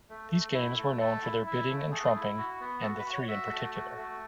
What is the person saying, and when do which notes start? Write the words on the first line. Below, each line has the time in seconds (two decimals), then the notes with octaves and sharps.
These games were known for their bidding and trumping and the three in particular.
0.10 A3
0.32 A3
0.54 E4
0.78 A3
1.00 A3 A4
1.23 E4
1.46 E4
1.69 A3
1.91 A3 G#4
2.15 E4
2.38 F#4
2.61 B3
2.82 F#4 A4
2.98 B4
3.06 F#4
3.13 C#5
3.28 F#4 E5
3.52 A3
3.75 F#4
3.98 A3